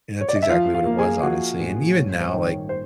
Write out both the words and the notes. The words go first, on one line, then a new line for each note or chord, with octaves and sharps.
And that's exactly what it was, honestly. And even now, like,
C#5
D5
D#5
E5
F3 F4 F5
F4 F5
A#3
G#4 G#5
F3 F#4 F#5
A1
G2 C#5
C5
D#3 C5
C#5
C5